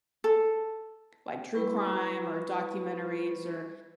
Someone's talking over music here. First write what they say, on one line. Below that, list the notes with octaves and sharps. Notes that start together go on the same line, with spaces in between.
like, true crime or documentaries or
A4
G3 E4 B4 B5 C#6